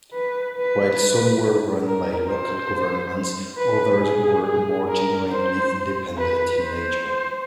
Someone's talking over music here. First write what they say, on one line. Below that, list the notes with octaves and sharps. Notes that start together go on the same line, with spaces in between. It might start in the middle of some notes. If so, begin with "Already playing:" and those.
While some were run by local governments, others were more genuinely independent in nature.
B4
B4
A#4
C5
B4
G#4
G#4
A#4
C5
B4
C5